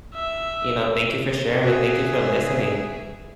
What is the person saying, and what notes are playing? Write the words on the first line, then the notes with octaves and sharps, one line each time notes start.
you know, thank you for sharing it. Thank you for listening
E5
F#4 G#4 E5